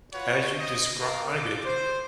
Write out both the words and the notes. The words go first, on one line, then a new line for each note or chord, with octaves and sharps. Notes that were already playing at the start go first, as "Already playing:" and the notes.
as you describe it,
F4 F#4 B4 C#5 F#5
D#5
A#4 F5
D6
C5